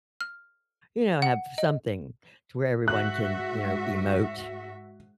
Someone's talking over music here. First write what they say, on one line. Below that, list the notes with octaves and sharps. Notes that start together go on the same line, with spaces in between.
you know, have something to where everyone can, you know, emote
F6
F#5
D#5
G#2 F#4 E5 F#6